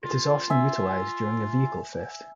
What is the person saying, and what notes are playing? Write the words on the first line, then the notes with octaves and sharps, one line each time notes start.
It is often utilized during a vehicle theft.
F4
E5 G#5